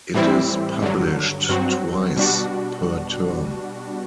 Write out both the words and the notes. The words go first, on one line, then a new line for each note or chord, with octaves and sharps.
It is published twice per term.
A2 E3 G3 C4 E4
G2 D3 F#3
G2 F#3 C4 F#4
B2 G3 D4 F#4